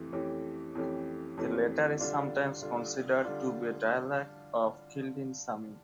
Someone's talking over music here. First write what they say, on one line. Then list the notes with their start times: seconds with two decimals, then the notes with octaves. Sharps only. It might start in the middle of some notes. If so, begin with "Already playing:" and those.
The latter is sometimes considered to be a dialect of Kildin Sami.
Already playing: F2 E3 A3 G4
0.12 F2 E3 A3 C#4 G4
0.75 F2 E3 A3 C#4 G4
1.37 F2 E3 A3 C#4 G4
1.99 D3 G3 D4 F4
2.62 D3 G3 D4 F4
3.24 D3 G3 D4 F4